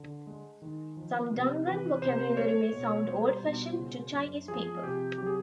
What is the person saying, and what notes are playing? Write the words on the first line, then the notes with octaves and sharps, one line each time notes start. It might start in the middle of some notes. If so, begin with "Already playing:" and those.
Some Dungan vocabulary may sound old-fashioned to Chinese people.
Already playing: D3
G#3
D#3
F3
C3
E3 B4
C3 C5
G#3 C#5
B2
G3 C5
B2
C#3
F#2
F3 G#4
C3 G4
F#3 G4
G#4